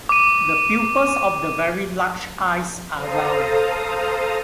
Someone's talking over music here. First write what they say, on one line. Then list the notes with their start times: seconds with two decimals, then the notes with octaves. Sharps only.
The pupils of the very large eyes are round.
0.09 D6 D#7
2.96 A4 C5 F5 A#5 D#6